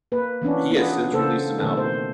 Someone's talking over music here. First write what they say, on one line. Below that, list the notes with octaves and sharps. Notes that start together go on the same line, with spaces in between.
He has since released an album.
A#3 B4
E3 B3 C#4 D4
B3 D4 F4 G#4
C#3 A#3 A4 C5
B2 D#3 A3 C4 A4
C5